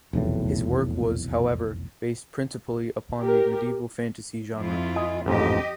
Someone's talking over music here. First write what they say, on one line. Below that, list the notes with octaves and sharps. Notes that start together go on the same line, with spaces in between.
His work was, however, based principally upon the medieval fantasy genre.
F1 B1 E2 A2
G4 A#4
F2 E4 F4
D#5 G#5
A1 F2 G#2 G4 D#5